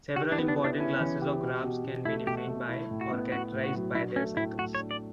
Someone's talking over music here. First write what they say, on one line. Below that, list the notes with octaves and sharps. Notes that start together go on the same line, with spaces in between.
Several important classes of graphs can be defined by or characterized by their cycles.
F#4 G4
D4
B3
D4
E4
D4
C#4 E4
E3
G4
B2
B2
B2
A3 E4
B2 G4
F#4
A3
E4
A2
F#4
B3
B3 F#4
A2
F#4
F#3
D4 E4
A3 C#4
A2 E4
A2 F#4
C#5
D4
D5